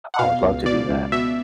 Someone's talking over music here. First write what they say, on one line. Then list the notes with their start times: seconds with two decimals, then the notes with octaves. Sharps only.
I would love to do that.
0.14 F#5
0.19 B2 F5
0.42 C#2
0.66 B2 D5
0.89 C#2
1.12 B2 E5